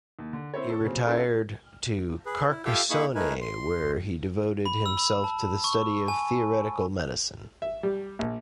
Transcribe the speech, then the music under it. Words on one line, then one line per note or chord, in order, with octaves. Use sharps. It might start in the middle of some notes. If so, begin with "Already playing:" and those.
He retired to Carcassonne, where he devoted himself to the study of theoretical medicine.
D#2
D3
C4 E4 C5 C#5
A4 C#6
A#2 C#3 F#3 C4 C#4
C#4 E4 F4 A4 B4
G#4 B4
E4
F4 G4 A4 E5 F5 G5
A#3 D#4 E4 G#4 B5 C#6
A3 D#4 A#4 B4 G#5
C6
B5
E6
B5
A5
C#6
G#5
E5
G3
A#1